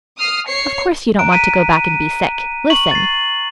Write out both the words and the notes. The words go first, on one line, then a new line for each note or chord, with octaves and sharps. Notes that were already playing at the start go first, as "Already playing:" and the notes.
Of course you don't want to go back an' be sick! Listen!
D#6 F6 C7
C#5 C7 C#7
A#5 F#6 D7
A#5 B6 D7 D#7
C#6 F#7
A6 C7